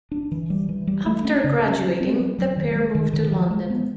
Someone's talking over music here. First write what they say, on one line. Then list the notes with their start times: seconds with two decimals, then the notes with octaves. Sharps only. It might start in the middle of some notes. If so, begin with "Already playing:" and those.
After graduating, the pair moved to London.
0.12 D4
0.32 E3
0.50 G3
0.69 E3
0.87 G3
1.06 A3
1.24 C#4
1.44 C#3
1.62 C#4
1.81 F#3
2.01 C4
2.20 F#3
2.39 F#3
2.57 D#3
2.76 G#3
2.95 D#3
3.13 D#3
3.32 F3
3.50 G#3
3.70 B3